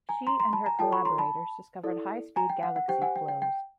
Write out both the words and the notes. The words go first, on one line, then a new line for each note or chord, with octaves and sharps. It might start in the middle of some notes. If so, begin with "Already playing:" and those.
She and her collaborators discovered high-speed galaxy flows.
G#5 A#5
A#5 C6
A#5 C6
A5 B5
G#5 A#5
F4 A4 C#5 G5 A5
B5 C#6
A#5 C6
A5 B5
E4 A4 D5
G#5 A#5
G5
F#5
F#5
G4 C5 G5
F#5 G#5
G5
G5
G5